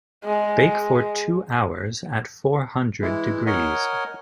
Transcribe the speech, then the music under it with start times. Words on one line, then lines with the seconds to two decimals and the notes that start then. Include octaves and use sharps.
Bake for two hours at four hundred degrees.
0.25 G#3
3.02 E3 G#3 E4
3.46 A#4 C#5 D#5 F#5 G#5